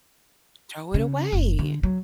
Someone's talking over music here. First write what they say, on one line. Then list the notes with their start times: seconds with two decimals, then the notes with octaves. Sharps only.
Throw it away.
0.94 C#3
1.32 F#1
1.59 D3
1.83 F#3